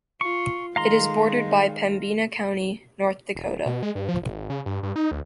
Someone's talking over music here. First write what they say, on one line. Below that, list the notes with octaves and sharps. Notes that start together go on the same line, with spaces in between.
It is bordered by Pembina County, North Dakota.
F4 C#6
D#3 G#3 F5 A#5 C6
E1
D1
B2
G#3
G2
F3
G#1
C#3
G2
G2
D#4
D2